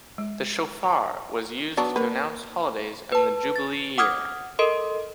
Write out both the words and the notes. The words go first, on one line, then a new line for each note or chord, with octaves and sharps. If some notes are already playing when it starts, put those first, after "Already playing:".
The shofar was used to announce holidays and the Jubilee year.
G#3
A#5
F#3 B3 D4 C#6
A#3 A#4 B4
B4 A5
A6
F#5 D6 D#6 F6 G#6
A4 A#4 D#5 C6